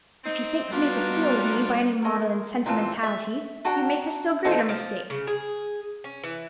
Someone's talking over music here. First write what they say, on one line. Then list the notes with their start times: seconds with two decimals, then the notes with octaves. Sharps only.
If you think to make a fool of me by any maudlin sentimentality, you make a still greater mistake.
0.24 C4 D#4
0.72 G3 B3 D4 D#4 F4 F#4
2.02 G#3 A#4
2.66 A#2 E3 C4 F4 A5
3.03 E5
3.65 D4 F#4 F#5 G5 A5 A#5
4.45 E3 F3 D#4 A4 C5
4.69 F3
5.10 C#3
5.27 G#4
6.04 C#4
6.24 E3